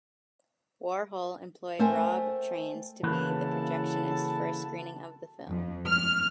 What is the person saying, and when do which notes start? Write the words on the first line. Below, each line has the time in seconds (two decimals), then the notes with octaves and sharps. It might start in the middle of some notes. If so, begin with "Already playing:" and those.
Warhol employed Rob Trains to be the projectionist for a screening of the film.
1.79 A3 A#4 C5 E5 G5 G#5
3.03 C#3 E3 A#3 E4 F#4 A4 B4 A5
5.47 F2
5.85 F6